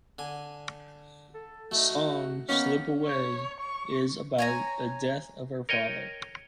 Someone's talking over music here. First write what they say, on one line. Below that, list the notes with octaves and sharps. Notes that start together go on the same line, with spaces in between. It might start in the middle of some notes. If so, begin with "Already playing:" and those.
The song "Slip Away" is about the death of her father.
D3 G#5
A4
A3 D#4 F#4
D#3 A#3 B3 C#4
C#5
C#6
C#5 G#5 A#5
A#4 C#5 D#5 G5